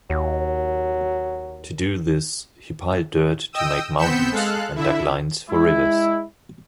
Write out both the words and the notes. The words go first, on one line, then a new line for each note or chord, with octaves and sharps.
To do this, he piled dirt to make mountains, and dug lines for rivers.
D#2 F#3
D#5 G5 D#6 E6
B3 C4 G6 B6 C#7 E7
G#3 A4 F5 F#6
D3 E4 E5
G#3 E4